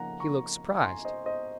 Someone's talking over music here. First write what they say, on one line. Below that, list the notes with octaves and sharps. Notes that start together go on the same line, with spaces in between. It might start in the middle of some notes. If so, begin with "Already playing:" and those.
He looked surprised.
Already playing: C#3 F3 A#3 D#4 F#5 G#5 A#5
A#5 C#6
A#5
G#5 C6
C5 D#5
C5 D#5